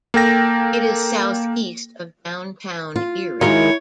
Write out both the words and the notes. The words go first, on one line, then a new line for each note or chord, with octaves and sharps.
It is southeast of downtown Erie.
A#3 A4 G5 A#6
F4
D#3 F#3 G#3 E4 F4 A#4 C#5